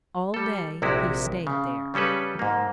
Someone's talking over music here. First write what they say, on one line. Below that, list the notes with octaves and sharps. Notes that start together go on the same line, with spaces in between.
All day he stayed there.
G3 A4
A#1 C3 G#3 E4 F#4 G4
C#3
C#3 G3 C#4 A4 B4
G#2 A#3